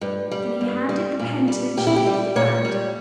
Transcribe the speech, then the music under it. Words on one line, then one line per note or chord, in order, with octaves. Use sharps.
Then he handed the pen to the chief of the band.
G2
G3
G2
G3
A#2
G3
A#2 G4
E4
G4
G3
A#2 C#5
G3